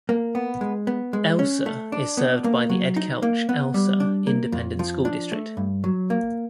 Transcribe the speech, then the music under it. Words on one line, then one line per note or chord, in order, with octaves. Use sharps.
Elsa is served by the Edcouch-Elsa Independent School District.
A#3
B3
G#3
B3
G#3
C#4
A3
D4
B3
A#3
F#3
D#4
A#3
B3
G3
D4
A#3
F2
F3
D4
A3
G2
F#3
A#3